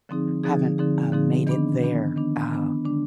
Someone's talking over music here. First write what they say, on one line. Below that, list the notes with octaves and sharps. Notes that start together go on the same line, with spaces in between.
haven't, uh, made it there, uh,
D3 F3 C4 D#4 G#4
D3 F3 C4 D#4 G#4
D3 F3 C4 D#4 G#4
D3 F3 C4 D#4 G#4
D#3 B3 D4
D#3 B3 D4
D#3 B3 D4
D#3 B3 D4
D3 G#3 D4